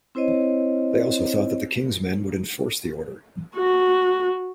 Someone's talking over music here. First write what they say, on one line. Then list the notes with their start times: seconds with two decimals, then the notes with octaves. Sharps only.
They also thought that the King's men would enforce the order.
0.15 C4 E4 C5 C#5 D#5
3.56 F#4